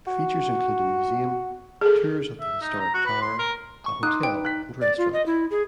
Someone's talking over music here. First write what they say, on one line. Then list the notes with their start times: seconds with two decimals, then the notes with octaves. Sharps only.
Features includes a museum, tours of the historic tower, a hotel and restaurant.
0.07 F#4
1.81 G#4 A4
2.40 E5
2.61 D#4
2.79 A#5
2.94 F#4
3.06 B4
3.21 C6
3.39 A#4
3.86 C#6
4.03 D#4 C6 D6 D#6 F#6
4.23 B4 G5
4.45 F#6 B6
4.81 D5
4.98 F4
5.13 D#5
5.26 E4
5.51 G#4